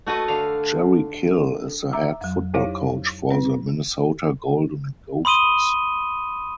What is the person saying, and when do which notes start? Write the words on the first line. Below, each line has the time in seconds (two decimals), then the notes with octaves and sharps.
Jerry Kill is the head football coach for the Minnesota Golden Gophers.
0.06 A3 F#4 B4 D#5
0.28 D3 F5
1.93 E5 A#5 D6 E6
2.21 F2 F#3
2.54 D#4 E4 G4 C5 C#5 F5
3.30 C4 B4
5.25 B5 C6 D#6 D#7 G7